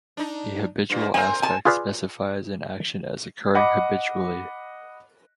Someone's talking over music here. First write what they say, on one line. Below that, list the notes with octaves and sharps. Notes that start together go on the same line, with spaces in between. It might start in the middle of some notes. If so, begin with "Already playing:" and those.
The habitual aspect specifies an action as occurring habitually.
D4 D#4
G2 A#2
C4 A#4 G#5
G#5 A5
F4 G#4 B4 D5 F5
D#5 F#5 B5 D6